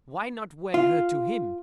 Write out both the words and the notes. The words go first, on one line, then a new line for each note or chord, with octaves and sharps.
Why not wed her to him?
F4